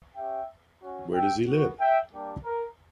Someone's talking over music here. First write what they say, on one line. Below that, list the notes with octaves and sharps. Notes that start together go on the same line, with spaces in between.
Where does he live?
C#4 G4 E5 G5
C#4 F#4
E5 G5
B3 F#4
E5 G5
G3 A#3 D4 G4
A#4